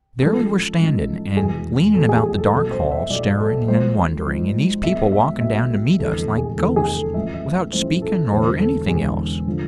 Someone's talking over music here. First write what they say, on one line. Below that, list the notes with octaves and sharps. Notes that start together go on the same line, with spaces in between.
There we were standing and leaning about the dark hall, staring and wondering, and these people walking down to meet us like ghosts, without speaking or anything else.
A1 G#2 F3 A4
A1 G#2 F3
F1 E2 B2 G#4
F1 E2 B2 A4
G#4
G#4
A4
B1 B2 A4
C5
E5
B1 B2 D5
A4
G#1 G#2 F3 C5
G#1 G#2 F3
B1 B2 E5
E5
B1 B2 E5
F1 E2 D3 A4
A4
G#4
F1 E2 D3 A4
G#4
A4
A1 A2 F3 E5
E5
A1 A2 F3 C5
A4
E1 E2 D3 C5
A4
E1 E2 D3 G#4
D3 F3